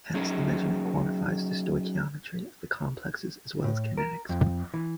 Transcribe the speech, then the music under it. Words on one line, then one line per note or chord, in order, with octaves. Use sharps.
Hence the measurement quantifies the stoichiometry of the complexes as well as kinetics.
F#3 C#4 D#4 G#4
A2
A#4
F2
E3